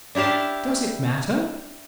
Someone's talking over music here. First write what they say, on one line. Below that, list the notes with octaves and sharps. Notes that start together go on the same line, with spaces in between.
"Does it matter?"
D4 E4 G4 F5 A5